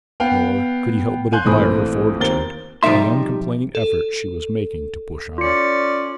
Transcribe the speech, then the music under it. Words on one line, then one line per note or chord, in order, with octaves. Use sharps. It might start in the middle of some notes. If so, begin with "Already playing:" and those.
Nor could he help but admire her fortitude and the uncomplaining effort she was making to push on.
B3 F5 G5
F5 G#5 C6 F#6 G6
A#1 E3 A3 C4 B5 D#6
D#2 C4 A#4 A6 G7
C3 F3 G3 D#4 E5 C6
A4
C#4 F4 D5 C#7